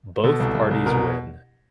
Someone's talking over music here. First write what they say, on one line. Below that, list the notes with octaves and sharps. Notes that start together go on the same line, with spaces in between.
Both parties win.
B2 A4
C2
C2
C2
B2 A#4